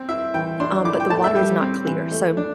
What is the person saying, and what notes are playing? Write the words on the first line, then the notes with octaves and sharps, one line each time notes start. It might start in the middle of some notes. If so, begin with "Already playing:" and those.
um, but the water is not clear, so
Already playing: C4
E4 E5
E3 G5
D4 C6
A2 D6
G5
A3 A5
E5
G3 G5
C4
E3
A3
D4